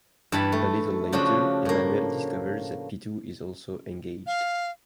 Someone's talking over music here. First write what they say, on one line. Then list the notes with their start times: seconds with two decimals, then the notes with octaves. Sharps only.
A little later, Emmanuel discovers that Pitou is also engaged.
0.32 G2 E3 E4 A5 B5
0.52 A3
1.12 C#3 F3 D4 F4 F#4
1.65 A2 A#3
4.27 F5